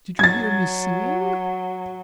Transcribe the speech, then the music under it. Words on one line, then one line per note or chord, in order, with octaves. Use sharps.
"Did you hear me singing?"
F#3 G#6 A6